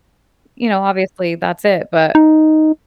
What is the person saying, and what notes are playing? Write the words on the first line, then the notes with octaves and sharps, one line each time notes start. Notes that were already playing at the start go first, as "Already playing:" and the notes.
you know, obviously, that's it, but
D#4